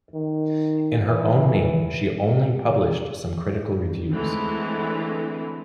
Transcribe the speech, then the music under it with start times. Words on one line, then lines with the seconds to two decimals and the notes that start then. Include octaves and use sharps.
In her own name, she only published some critical reviews.
0.14 D#3
1.06 E3
4.12 D3 E3 G#3 A3 C4 E4